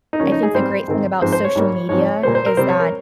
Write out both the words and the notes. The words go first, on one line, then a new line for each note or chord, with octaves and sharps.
I think the great thing about social media is that
D#4
C#3 F3 A#3 C#4
D#4
G#4
G#2 G3 C4 C5
G#2 D#3 G#3 C4
G#2 F3 G#3 C4 C5
C5
C#5
G#2 G3 A#3
G#2 F3 C4 C#5
A#2 G3 A#3 C5
C5
A#4
C3 G3 C4 C5
C#5
A#4